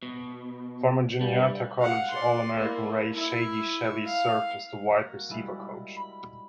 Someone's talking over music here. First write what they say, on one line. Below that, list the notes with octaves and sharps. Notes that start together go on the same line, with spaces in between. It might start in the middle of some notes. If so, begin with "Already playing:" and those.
Former Juniata College All-American Ray "Shady" Shelley served as the wide receiver coach.
B2
G2 G3
F5 F#5
D5 C6
A#3 E4
E4 E5
F5
A#3 F#4 A#6
G3 G#3 E4
B5